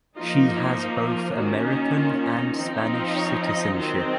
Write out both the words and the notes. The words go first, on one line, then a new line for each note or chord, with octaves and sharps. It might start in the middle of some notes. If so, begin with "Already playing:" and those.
She has both American and Spanish citizenship.
F3 A#3 D#4 F4
F4
D#4
F4
D#3 A#3 C#4 F#4
D#4
F4
D#4
F3 C4 D#4
F4
C#5
D#5
D#3 F#3 C4 D#4